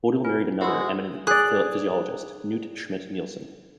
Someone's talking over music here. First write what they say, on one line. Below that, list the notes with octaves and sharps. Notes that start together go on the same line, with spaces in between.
Bodil married another eminent physiologist, Knut Schmidt-Nielsen.
F4 B4 G#5
G#3 F#4 C5 F#5 B5 C6 E6
G#4 D5 F#6